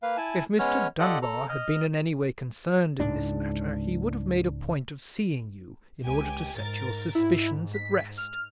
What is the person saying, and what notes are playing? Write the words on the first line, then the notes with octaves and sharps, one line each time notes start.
If Mr. Dunbar had been in any way concerned in this matter, he would have made a point of seeing you, in order to set your suspicions at rest.
A#3 B4 F5
E4 G#5 A5
G#3 B3 C#4 C#5 F6
F4 G4 A4 D5 D#5 F#5
A4 A#5
D#5 F6
C#2 G#2 D4
C#2 G4 G#5
G#2 A#4 A6
G#2 E4
B6
F6